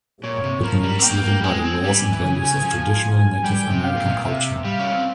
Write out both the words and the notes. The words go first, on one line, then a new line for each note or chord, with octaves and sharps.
It means living by the laws and values of traditional Native American culture.
A#2 C#5
C3
F3 A#4
G3
C4
A#3 G5
A#3
G3
G#3 G#5
C4
G3
E3
C#3
C#3
F3
G3 G5
C3
F5
A#2
C3
A#2
C3 E5
G3 F5
C#4
C4